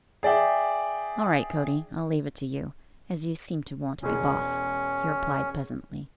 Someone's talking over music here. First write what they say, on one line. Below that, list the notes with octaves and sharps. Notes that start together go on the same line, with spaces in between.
"All right, Cody, I'll leave it to you, as you seem to want to be boss," he replied, pleasantly.
G#4 D5 E5 G5
E1 G#3 C#4